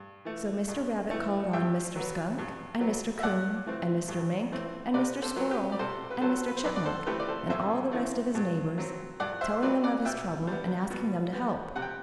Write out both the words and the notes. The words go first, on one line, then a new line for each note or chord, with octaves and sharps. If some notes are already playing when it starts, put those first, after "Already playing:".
So Mr. Rabbit called on Mr. Skunk and Mr. Coon and Mr. Mink and Mr. Squirrel and Mr. Chipmunk, and all the rest of his neighbors, telling them of his trouble and asking them to help.
Already playing: G2
E3 A3
G2
E3 A3
G2 E5 G5
F#3 B3
G2
F#3 B3
E5
G2 D5 F#5
E3 A3 C4
G2
E3 A3 C4
C3 B4 D5
A4 C5
F#3 B3
G4 B4
D5
C3 A4 C5
B4
F#3 B3 A4 C5
B4
C5
F#2 B4 D5
D5
A4 C5
E3 A3 C4 G4 B4
D5
A4 C5
F#2 C5 E5
E3 A3 C4
G2
F#3 C4
G2 D5 F#5
C5 E5
F#3 C4 B4 D5
D5 F#5
B2 E5 G5
G3 B3
B2
G3 B3
C3 F#5
G5